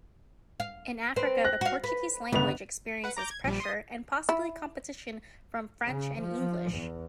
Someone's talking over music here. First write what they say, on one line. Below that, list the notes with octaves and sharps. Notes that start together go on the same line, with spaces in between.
In Africa, the Portuguese language experiences pressure and possibly competition from French and English.
F5
C4 B4
F#6 A#6
F#4 F5
B4
G1 C#3 B3 F7
B4 F#5
A#5 D6 G6
G#6
A#1 G3
C6 D#6
E4
C#3
F3
E2